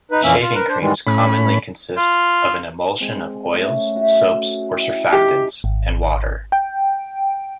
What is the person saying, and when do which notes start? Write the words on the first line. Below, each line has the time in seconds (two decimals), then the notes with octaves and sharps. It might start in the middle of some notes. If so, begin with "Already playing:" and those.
Shaving creams commonly consist of an emulsion of oils, soaps or surfactants, and water.
0.11 D#4 B4
0.23 F2 A#2 E3 A#3 C#4 E5
0.41 F4
0.54 A#4 B4
0.68 D4 C5
0.80 G#2 D#3 E3 G3 G#3
1.07 A2 C#4 B5
1.97 F4
3.00 G#3 C4
3.54 A3 C#4
3.96 F#4 E5
4.70 D#4 E4 G5
5.13 D#4 G4
5.64 G#1
6.52 G5